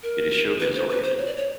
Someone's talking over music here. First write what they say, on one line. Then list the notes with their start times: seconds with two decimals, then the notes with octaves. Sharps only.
It is showbiz oriented.
0.03 A#4
0.60 B4
0.75 C5
0.89 B4
1.03 C5
1.17 C#5
1.27 D5
1.37 C#5